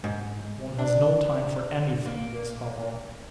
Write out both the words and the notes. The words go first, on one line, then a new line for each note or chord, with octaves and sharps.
"One has no time for anything in this hovel!"
G#2
D4
A#3